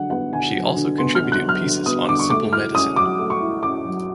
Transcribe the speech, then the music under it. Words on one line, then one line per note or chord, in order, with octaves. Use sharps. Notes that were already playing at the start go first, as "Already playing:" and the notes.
She also contributed pieces on simple medicine.
Already playing: D3 F#3 F#5
B3 F#5
D3 G#5
F#3
D3
B3 C6
F6
D3
F#6
F#3
F6
D3
B3 D#6
D3 D6
C#6
A3 D6
E4 F6
C#4 D#6
F#3 D6
A3
C#6
E4
C#4 D6
F#3